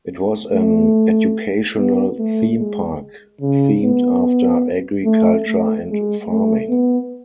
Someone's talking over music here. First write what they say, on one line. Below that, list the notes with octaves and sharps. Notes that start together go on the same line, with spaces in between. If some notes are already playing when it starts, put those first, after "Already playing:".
It was an educational themepark themed after agriculture and farming.
A3
B3
A3
G#3
C#3
B3
A3
A3
G#3
A3
B3